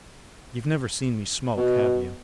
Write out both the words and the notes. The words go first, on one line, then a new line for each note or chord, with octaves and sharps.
You've never seen me smoke, have you?
B2